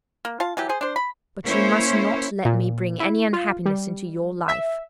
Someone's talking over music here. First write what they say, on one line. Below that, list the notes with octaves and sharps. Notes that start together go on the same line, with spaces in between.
But you must not let me bring any unhappiness into your life.
A#3
F4 F5 A5
E3 F#3 G4
G#4 C5
D4 C5
B5
A#3 C#4 E4 C5 C#5
A#2
E4
F4
G3
E5